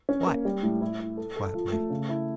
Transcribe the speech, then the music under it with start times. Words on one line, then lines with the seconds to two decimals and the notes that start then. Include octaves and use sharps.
"What?" flatly.
0.09 C#4
0.27 A#3
0.45 G3
0.63 A2
0.81 E4
1.00 E4
1.17 A4
1.36 A4
1.54 F3
1.72 A3
1.90 C#3
2.09 E4